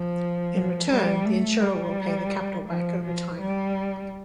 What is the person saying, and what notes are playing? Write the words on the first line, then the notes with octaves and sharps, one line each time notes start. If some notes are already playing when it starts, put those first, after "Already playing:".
In return, the insurer will pay the capital back over time.
Already playing: F3
G3
A3
G3
F3
F3
G3